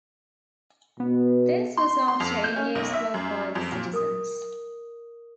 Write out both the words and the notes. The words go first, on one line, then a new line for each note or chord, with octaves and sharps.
This was after a year's work by the citizens.
B2 B3
C6
C6
F2
G6
C#4
B1
E5
F#2
F2
A#2
A#4 D#6